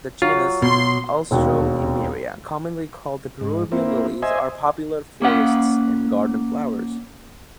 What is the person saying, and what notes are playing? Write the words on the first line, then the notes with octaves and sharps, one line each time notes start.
The genus "Alstroemeria", commonly called the Peruvian lilies, are popular florist's and garden flowers.
F#3 F4
B2 C6
E1 D#2 F#4
G#2
A#3 C4 E4
C5 D#5 E5 G#5
A#3 C#4 F#5